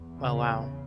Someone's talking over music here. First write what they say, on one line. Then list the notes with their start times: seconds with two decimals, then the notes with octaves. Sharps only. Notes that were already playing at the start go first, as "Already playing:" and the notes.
Oh, wow.
Already playing: E2
0.18 C#3